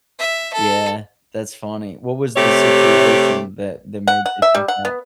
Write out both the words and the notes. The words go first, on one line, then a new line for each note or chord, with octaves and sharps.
Yeah, that's funny. What was the situation that that made you think that?
E5
A4
C3 A3 G4 C#5
F#5
F#5
E5
G3
F#5
B3